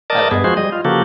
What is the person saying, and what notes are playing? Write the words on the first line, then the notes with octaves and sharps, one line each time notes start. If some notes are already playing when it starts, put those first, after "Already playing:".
I like that.
A#4 D5 D#5 A5
G2 B3 G#4
F3 G#3 F#4 G#4 C5
G3 D#5
F4
C#3 F3 A#3 F#4 G4 A4